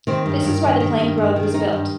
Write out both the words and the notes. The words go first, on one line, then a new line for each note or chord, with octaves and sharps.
This is why the Plank Road was built.
D#3 C4
G2
G2 D4
D#3
D#3
G2
G2
D#3
D4
D#3 D#4
G2